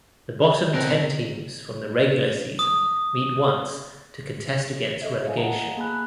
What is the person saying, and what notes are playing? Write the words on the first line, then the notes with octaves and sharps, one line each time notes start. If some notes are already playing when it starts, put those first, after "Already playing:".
The bottom ten teams from the regular season meet once to contest against relegation.
B2 C4 A#4 F#6
D#6
A4 D#5 E5
D#5 F5 G#5
F#5 A5 A#5
A#3 G#4 G#5 B5 F#6